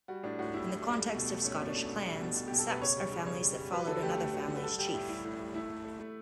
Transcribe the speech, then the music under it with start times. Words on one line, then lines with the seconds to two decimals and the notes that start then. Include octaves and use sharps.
In the context of Scottish clans, septs are families that followed another family's chief.
0.08 G3 F#4
0.23 A2 D4
0.39 A2 F#4
0.54 G3 E4
0.69 A2
0.84 G3
0.99 A3
1.14 B2
1.30 A3
1.45 A3 C#4
1.60 B2
1.67 D4
1.75 A3
1.90 B2
2.06 G3
2.21 B2
2.36 B2
2.47 B2 G4
2.59 A4
2.66 B2 B4
2.81 C#3 C#5
2.97 G3
3.12 C#3
3.26 C#3 C#5
3.42 G3
3.57 G3
3.72 F#3 B4
3.87 D3 A4
4.02 A3 G4
4.18 A3
4.33 F#3
4.48 D3
4.56 B4
4.63 G3 A4
4.78 G3 G4
4.93 A2 E4
5.09 G3 E4
5.24 A2
5.39 G3
5.54 A3 E4
5.70 A3
5.85 A3
6.00 A3